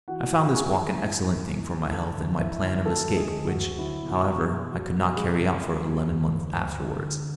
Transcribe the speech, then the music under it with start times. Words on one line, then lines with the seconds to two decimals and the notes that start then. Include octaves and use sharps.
I found this walk an excellent thing for my health and my plan of escape, which, however, I could not carry out for eleven months afterwards.
0.08 E3 F#4 F#5
0.31 G#2
0.54 E3 G#4 G#5
0.78 E3
1.00 G#2
1.24 E3
1.47 E3
1.70 E3
1.93 D3 A4 A5
2.16 D2
2.40 D2 E4 E5
2.62 D3
2.86 F#3 A3 A4
3.09 D2
3.16 G#3 G#4
3.32 D3
3.47 F#4
3.55 D2
3.78 F#3 E4
4.02 B2
4.09 F#4
4.24 B2
4.48 B2
4.71 F#3 F#4
4.94 B2
5.16 B2 G#3 G#4
5.40 C#2
5.63 F#3
5.86 F#3
6.10 D2
6.33 D2
6.56 D2
6.79 D3
7.02 D3